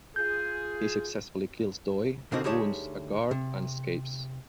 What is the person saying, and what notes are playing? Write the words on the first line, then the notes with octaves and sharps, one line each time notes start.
He successfully kills Doi, wounds a guard and escapes.
F4 G#4 G6
B2 D3 A#3 C4 D#4 F#4
D2 D#4 G4 G#4 C#5 A5
C3